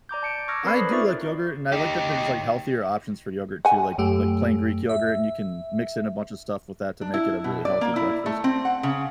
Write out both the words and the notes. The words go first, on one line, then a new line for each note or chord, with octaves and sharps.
I do like yogurt, and I like that there's, like, healthier options for yogurt too, like like plain Greek yogurt, and you can mix in a bunch of stuff with that to make it a really healthy breakfast.
D5 A#5 D6 G6
A5 C#7 D7
C#6 D6 E6 F6 G#6 A#6
C4 A#4 B4 D5 B5 C7
A4 C5 D#6
D#4 F4 D5 E5 C#6 A6
D#4 G4
F#5 G#5
F#2 A3 G4
E5
D4
E4
B2
D5
A#3
E4
A3
C4
F#5
C#3